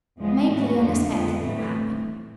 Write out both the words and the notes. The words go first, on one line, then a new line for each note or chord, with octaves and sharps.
"Maybe the unexpected will happen."
E2 C#3 F3 G#3 B3
A2 E3 A3 C#4 F#4
F2 D3 F3 A3
F2 D3 F3 G#3 B3
A2 E3 A3 C4